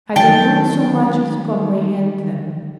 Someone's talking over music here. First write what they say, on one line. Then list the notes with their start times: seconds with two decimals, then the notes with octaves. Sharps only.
I did not so much as comprehend them.
0.16 D#3 F#3 G5 A5